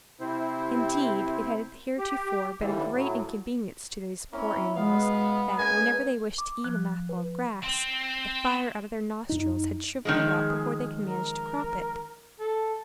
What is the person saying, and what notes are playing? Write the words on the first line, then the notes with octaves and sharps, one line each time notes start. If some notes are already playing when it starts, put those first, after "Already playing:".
Indeed, it had heretofore been a great inconvenience to these poor animals, that, whenever they wished to eat a mouthful of grass, the fire out of their nostrils had shriveled it up, before they could manage to crop it.
C3 C4 E4 C5
G4
D#2 D3 E3 G3
A2 F#3
A#3 C4 C#4 E4
B2 G#3 B3 F5
G#3 A#3 C#4 B4 G#5
D6
F3 F#6
B4
C4
F#2 D#4
D#3 F3 G#3 G#4
A#4
A4